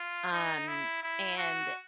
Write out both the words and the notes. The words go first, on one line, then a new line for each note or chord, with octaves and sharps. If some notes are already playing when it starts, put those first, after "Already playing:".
um, and
Already playing: F4
D#4
E4
E4
F#4